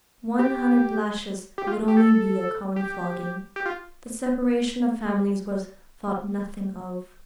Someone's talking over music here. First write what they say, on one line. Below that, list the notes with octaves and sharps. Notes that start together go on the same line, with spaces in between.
"One hundred lashes would only be a common flogging." The separation of families was thought nothing of.
G4
G4
F4
G4
A4
G4
G4
F4